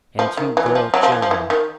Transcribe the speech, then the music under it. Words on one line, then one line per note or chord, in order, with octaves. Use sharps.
And two girl children.
F3
D#3
E3
F#3
F3
F#3
F3
E3
F3
E3
D#3